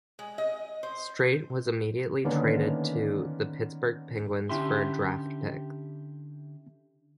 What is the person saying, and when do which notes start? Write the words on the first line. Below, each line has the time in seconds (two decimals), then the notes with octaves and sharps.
Streit was immediately traded to the Pittsburgh Penguins for a draft pick.
0.19 G#3
0.38 D#5
0.83 C5
2.25 D3 D#3 A#3 B3 C#4 D4
4.49 D3 C#4 E4 G4 E5 C6